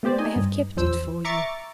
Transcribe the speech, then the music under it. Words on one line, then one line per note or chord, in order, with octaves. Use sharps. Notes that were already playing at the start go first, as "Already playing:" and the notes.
I have kept it for you.
A3 B3 G4 C5 D5
D#4 D#5 G#5
G2
A#1 E2 F3 C5 E6
E5 A#5 C#6 D6 A6 C#7